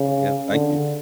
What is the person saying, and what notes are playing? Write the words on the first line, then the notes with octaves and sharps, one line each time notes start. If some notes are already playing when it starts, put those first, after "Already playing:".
Yeah, thank you.
Already playing: C#3
D3